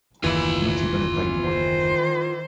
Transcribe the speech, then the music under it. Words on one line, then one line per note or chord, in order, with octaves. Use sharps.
Not even a tiny one.
F#1 D#2 E3 F4 B5
D#3 C5